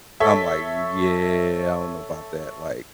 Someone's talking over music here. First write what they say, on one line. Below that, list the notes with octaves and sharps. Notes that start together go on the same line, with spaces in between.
I'm, like, "Yeah, I don't know about that," like
A4 C#5 E5